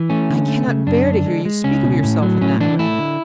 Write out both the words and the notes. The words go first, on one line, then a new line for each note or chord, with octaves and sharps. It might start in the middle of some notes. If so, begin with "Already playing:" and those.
"I cannot bear to hear you speak of yourself in that way."
Already playing: E3
A3 C#4
D3
A3
C#3
F#2 D4
D3
G#3
G#3
C#2 C#4
B2
A2
F#3
A2 C#4
E3 D4
A3 E4
D3